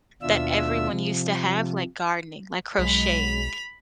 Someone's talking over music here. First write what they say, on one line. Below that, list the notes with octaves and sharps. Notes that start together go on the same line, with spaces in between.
that everyone used to have, like, gardening, like, crocheting,
D#2 B2 D4 F4 E5 E6
C3 F3
B1 F#3 G#3 B5 F7